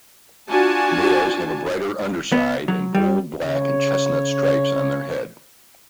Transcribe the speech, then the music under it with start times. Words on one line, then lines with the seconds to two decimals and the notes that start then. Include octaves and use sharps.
Males have a brighter underside and bold black and chestnut stripes on their head.
0.49 D4 F4 F#4 G#5 A5
2.32 B3
2.68 F#3
2.95 G3
3.42 C#3 C#5